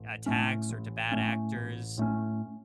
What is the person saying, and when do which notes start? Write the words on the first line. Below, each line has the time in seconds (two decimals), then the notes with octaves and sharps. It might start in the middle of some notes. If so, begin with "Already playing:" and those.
attacks or to bad actors.
Already playing: A1
0.26 A2 A3 C#4
0.69 A1
1.12 A2 A3 C#4
1.55 A1
1.98 A2 A3 C#4